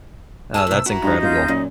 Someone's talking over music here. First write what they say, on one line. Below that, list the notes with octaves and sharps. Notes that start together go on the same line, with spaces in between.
Oh, that's incredible.
G#4 G#5 A5 E6
A2 C3
E4 F#4 A#5
G2 D#4
D#1 F4 D#5 G6
F#2 A#2